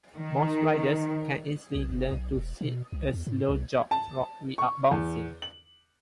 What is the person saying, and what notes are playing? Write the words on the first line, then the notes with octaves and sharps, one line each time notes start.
Most riders can easily learn to sit a slow jog trot without bouncing.
D#3
B1
F#1
B1
E1
B2
C2
E2
G#2
C2
A5
C#6
E2
F#7